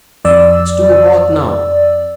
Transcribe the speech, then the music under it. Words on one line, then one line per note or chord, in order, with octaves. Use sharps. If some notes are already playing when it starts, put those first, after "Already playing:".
It's too hot now.
F2 D5 E6